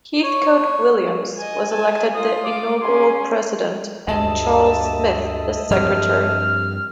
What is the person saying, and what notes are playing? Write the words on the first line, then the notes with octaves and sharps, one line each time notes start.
Heathcote Williams was elected the inaugural president, and Charles Smith the secretary.
C#5
D#5 G#5
G#5 A5
F4 D#6
D6
C#4 G#4 C6
D2 G2 A4 D#5 E5 A5
G2 F3 G3 C4 G4 A#4 F6